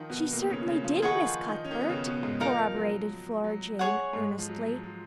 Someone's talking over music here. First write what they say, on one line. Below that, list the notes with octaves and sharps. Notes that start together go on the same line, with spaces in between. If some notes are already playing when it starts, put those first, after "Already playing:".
"She certainly did, Miss Cuthbert," corroborated Flora Jane earnestly.
Already playing: D#3 F3 D#4 F4
B2 B3
A#2 A#3
C#3 C#4
C#3 C#4
F3 F4
D#3 D#4 G#4 B4 F#5 C#6
F3 F4
D#3 D#4
C#4
D#3 D#4
B3
C#3 C#4
B2 B3
G#2 G#3
F3 D#4 A#4 F5
F#3
F#3
G#4 C#5 F#5
G#2 G#3
F3
F#3
F3
F3